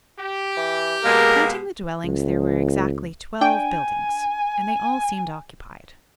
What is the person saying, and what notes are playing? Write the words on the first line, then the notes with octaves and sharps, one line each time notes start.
Counting the dwellings there were exactly twelve buildings, and they all seemed occupied.
G4
E3
B2 G#3 A#3 A#4
C#2
D4 G5 G#5